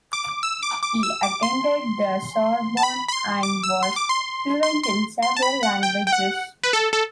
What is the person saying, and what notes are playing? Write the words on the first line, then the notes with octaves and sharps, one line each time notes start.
He attended the Sorbonne and was fluent in several languages.
D6
E6
D6
D6
E6
D6
C6
A5
B5
B5
C6
D6
E6
C6
D6
C6
C6
C6
C6
A5
B5
F#5
G5
G5
F#5
B4
A4
A4